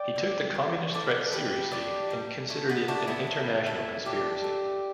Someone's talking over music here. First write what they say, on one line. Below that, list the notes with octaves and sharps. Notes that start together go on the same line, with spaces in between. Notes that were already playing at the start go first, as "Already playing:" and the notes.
He took the communist threat seriously and considered it an international conspiracy.
Already playing: D5 G5
D3
G3
A2 A4 D5
A3 G4 B4
A2 D4 G4
G3
A2 A3
B3
G3 A3 D4
B3 E4
A2
A3 E4 A4
B2 D4 G4
A3